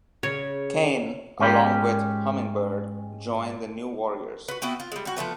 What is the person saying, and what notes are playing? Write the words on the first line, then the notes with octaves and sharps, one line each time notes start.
Kaine along with Hummingbird join the New Warriors.
C#3 C#5
G#2 G#3 C#4 G4 B5
F#4 B4
B3 E4 F#4 G5
F4
G3 G#3
G3 F#4
F3 F#3 A3 B3